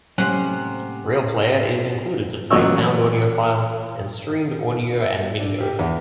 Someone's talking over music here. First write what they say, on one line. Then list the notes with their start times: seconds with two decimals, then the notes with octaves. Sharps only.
RealPlayer is included to play sound audio files and streamed audio and video.
0.18 A2 C3 F#3 G#3 A#3 C#4 C5 F#5
2.50 A1 A#2 F#3 D#5 C#6 E6
5.00 E5
5.39 D4
5.60 G4
5.79 E2